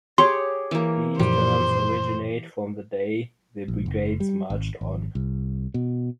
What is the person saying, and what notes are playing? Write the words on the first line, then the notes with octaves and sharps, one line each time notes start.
These terms originate from the day the brigades marched on.
G4 G#4 C#5 C6
E3 A#3
F#2 A#2 F3 G3 C5
A#1
F#1
G3
G#1
G#1
C2
B2